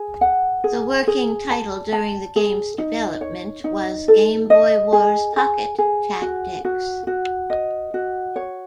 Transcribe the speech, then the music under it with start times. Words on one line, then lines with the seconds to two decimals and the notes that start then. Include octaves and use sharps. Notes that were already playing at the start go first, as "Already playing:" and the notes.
The working title during the game's development was "Game Boy Wars Pocket Tactics".
Already playing: G#4
0.21 F#5
0.64 G#4
1.07 G#4
1.51 A5
1.93 A5
2.36 G#4
2.78 D#4
3.21 C#5
3.64 D#4
4.08 A4
4.50 D#5
4.93 G#4
5.37 G#4
5.78 G#4
6.22 F#4
6.65 F#4
7.07 F#4
7.50 D#5
7.94 F#4
8.36 C#5